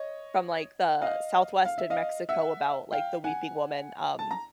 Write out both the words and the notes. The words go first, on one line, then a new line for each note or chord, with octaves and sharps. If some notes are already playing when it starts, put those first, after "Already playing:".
from like the southwest in Mexico about like the weeping woman, um,
Already playing: C#5 D#5
D#5 F5
F5
E5
D#5 F5
E5 F#5
F5 G5
F#5 G#5
A5
A#5